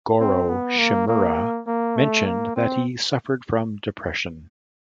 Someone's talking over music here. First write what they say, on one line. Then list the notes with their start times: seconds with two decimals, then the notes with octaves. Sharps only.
Goro Shimura mentioned that he suffered from depression.
0.20 C4
0.49 B3
0.79 A#3
1.08 A#3
1.67 A#3
1.97 A3
2.26 A#3
2.56 C4